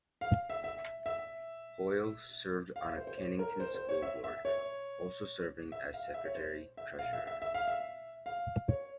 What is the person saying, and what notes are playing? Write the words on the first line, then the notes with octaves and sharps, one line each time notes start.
Hoyle served on the Cannington School Board, also serving as secretary treasurer.
F5
E5
E5
E5
F5
E5
C5
C5
C#5
A#4
C5
C5
C#5
E5
E5
C#5
E5
F5
E5
C#5
C5
E5
F5
E5
E5
E5
F5
E5
F5
C#5